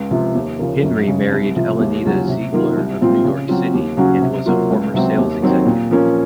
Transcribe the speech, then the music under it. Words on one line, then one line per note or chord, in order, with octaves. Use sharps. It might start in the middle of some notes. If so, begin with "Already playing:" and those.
Henry married Elenita Ziegler of New York City and was a former sales executive.
Already playing: C#2
C3 F3
D#2
C#3 F3 A#3
F#2
C#3 G#3
C2
C3 F3
D#2
C#3 F#3 C#4 F4
C3
D#3 F#3 A#3 F4
C2
A#2 F3 C4 F4
C#3
F#3 C4 F4
D#2
C#3 F#3 C#4 F#4
C3
F#3 A#3 F4
C#2
C3 F#3 C4
D#2
D#3 F#3 C4
A#2
F3 A#3 C#4